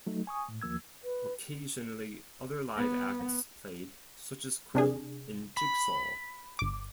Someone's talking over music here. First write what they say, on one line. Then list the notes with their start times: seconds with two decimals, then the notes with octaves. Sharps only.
Occasionally other live acts played such as Quill and Jigsaw.
0.07 F#3 A3 D#4
0.27 G#5 C#6 D#6
0.49 A2
0.61 D#2 F3 A#3 E6 G#6
1.04 B4
2.76 B3
4.75 C3 D4 G#4
5.57 B5
6.59 G1 D6